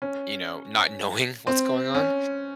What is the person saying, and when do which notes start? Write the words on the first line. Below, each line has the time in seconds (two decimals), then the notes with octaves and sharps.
you know, not knowing what's going on
0.02 C#4
1.47 C4
1.95 C#4